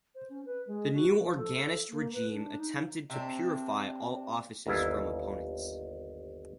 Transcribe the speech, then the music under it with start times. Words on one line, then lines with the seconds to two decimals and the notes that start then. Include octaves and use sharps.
The new Orangist regime attempted to purify all offices from opponents.
0.15 C5
0.30 C#4
0.46 B4
0.67 G#3
0.94 F#4
1.20 F3
1.38 A4
1.90 A#3
2.14 B4
2.33 D4
2.57 D#4
3.10 C3 C4 D4
4.67 G1 D#2 E4 F4